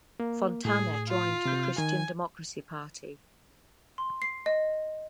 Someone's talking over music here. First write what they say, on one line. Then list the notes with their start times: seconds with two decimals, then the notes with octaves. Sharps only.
Fontana joined the Christian Democracy Party.
0.20 A#3
0.65 A2 G#4
1.09 F4
1.46 C3 G6
1.78 D#3 G#5
3.98 C6
4.22 C7
4.46 D#5